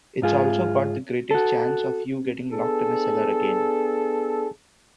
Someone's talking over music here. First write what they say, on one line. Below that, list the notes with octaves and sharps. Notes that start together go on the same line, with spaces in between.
It's also got the greatest chance of you getting locked in a cellar again.
G#2 F4 G#4
F#4 A4
B3 D4 G#4 A4